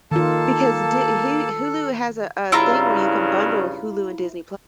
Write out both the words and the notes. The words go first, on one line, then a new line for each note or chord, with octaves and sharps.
Because Di he Hulu has a a thing where you can bundle Hulu and Disney+.
D#3 A#3 F4 A4 A5
G2 C#3 E4 F4 A#5